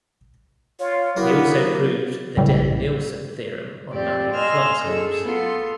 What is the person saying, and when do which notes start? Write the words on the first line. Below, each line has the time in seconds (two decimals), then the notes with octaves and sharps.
He also proved the Dehn-Nielsen theorem on mapping class groups.
0.80 F4 C#5
1.17 F#3 A#3 B3 E4
2.37 A#1 F#2 A2 C#3 E3 G3
3.92 F2 C4 G4 D5
4.33 D#5 G#5 C6 E6 F6
4.84 F#2 G#4 A4 E6
5.23 B3 F4 A4 C6